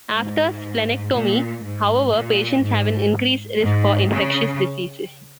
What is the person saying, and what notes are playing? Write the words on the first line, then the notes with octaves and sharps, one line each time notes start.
After splenectomy, however, patients have an increased risk for infectious diseases.
G#2
A#2
G#2
A#2
G#2
G#2
C#3